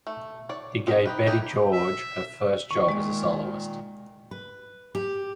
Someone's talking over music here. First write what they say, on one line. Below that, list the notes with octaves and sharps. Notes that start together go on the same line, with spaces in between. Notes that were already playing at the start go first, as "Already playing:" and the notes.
He gave Betty George her first job as a soloist.
A3
C#5 D5
C4 D#4 A#4
D#4 G4 B4
D#4 E4 G4 G#4 B4
E5
A#2 D#3 C#6
G#3 D5
B4
G4